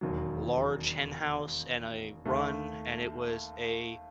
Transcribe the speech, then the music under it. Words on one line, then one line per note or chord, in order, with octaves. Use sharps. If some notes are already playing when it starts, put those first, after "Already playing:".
large hen house and a run, and it was a
E1 D#2 D#3 F#3
D#2 D#3 A3